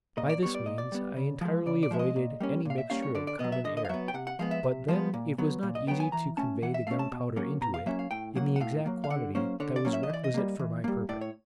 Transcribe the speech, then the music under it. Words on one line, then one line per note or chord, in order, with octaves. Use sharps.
By this means I intirely avoided any mixture of common air; but then it was not easy to convey the gunpowder into it, in the exact quantity that was requisite for my purpose.
A#2 D#5
D5
G3 B3 C#5
D5
A#2 D#5
D5
G3 B3
C#3
F3 G#3
C#3 D5
D5
F3 G#3 E5
D#5
A#2
G3 A#3 C#4
A#2 F5
E5
G3 A#3 C#4 F5
C#5
D3 D5
D5
B3 D#5
F#3
E5
D3 D#5
D#5
F5
F#3 B3 E5
G5
C3 F#5
F#5
F3 G#3 B3 F5
E5
C3
F3 G#3 B3
A#2
F#3 B3
A#2
D#5
F#3 B3 G5
G#5
E3 A#5
A3 C#4 A5
E3 F#5
E5
A3 C#4 F5
A5
B2
F#3 A#3 C#4
B2 A#5
F5
F#3 A#3 C#4 E5
F5
A2 G5
F#3 A#3 F#5
F#5
A2 F5
F#3 A#3
F5
D3 F#5
F#3 A#3 C#4 C5
D3 C#5
D5
F#3 A#3 C#4
E5
D#5
E3 D5
D#5
G3 A#3
E3
G3 A#3
A2 D5
C#5